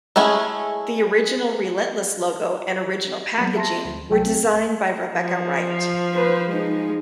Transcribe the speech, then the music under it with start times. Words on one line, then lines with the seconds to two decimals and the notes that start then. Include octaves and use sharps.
The original Relentless logo and original packaging were designed by Rebecca Wright.
0.16 G#3 A3 C#4 E4 G#4
3.38 F#3 G#3 A#3 B3
3.56 E5 A5 C6 A#6
3.85 D2
4.10 C2 F#3 A4 G5
4.25 C4
5.15 F3
6.12 B4 C5
6.49 G#3 D#4